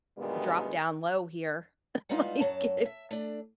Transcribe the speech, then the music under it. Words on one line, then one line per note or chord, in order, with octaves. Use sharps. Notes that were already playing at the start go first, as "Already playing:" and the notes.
"drop down low here." Like, if
D2 A#2 D#3 G3 G#3 B3
G3 G#3 B3 D#4 F4
F#2 F#3 A5
E5
A3 D4